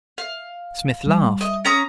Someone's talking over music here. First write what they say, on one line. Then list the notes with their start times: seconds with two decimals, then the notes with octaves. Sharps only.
Smith laughed.
0.18 F5
1.07 G3
1.41 D#5
1.65 C#4 A#5 D#6